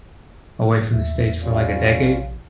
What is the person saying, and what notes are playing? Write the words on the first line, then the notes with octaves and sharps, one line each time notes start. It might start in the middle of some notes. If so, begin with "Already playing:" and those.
away from the States for like a decade.
A2 C#3
D#2 E5
E2
G3 C#4 F4
A#1